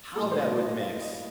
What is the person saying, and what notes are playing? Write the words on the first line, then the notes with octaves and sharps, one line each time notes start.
how that would mix.
A2 G3 A#3 A4
C5
D#5
D5
D#5
F5
D#5